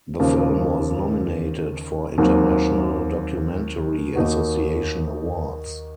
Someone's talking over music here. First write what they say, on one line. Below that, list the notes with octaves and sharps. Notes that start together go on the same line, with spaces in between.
The film was nominated for International Documentary Association awards.
D#2 C#3 F3
D#2 D#3 F#3 C4
D#2 D#3 A#3 D#4 F#4